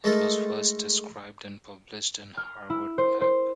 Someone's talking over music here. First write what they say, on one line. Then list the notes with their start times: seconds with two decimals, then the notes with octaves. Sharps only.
It was first described and published in Harvard Pap.
0.04 G#3 A3 D#4 A4 A#4
2.37 F6
2.70 E4
2.98 C5
3.21 C5